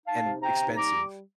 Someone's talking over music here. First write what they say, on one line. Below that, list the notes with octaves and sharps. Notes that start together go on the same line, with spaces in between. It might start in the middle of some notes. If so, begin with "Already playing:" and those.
and expensive,
D#4 F5 A5
C3
C3 G5 A#5
D#4
G3 A#5 D6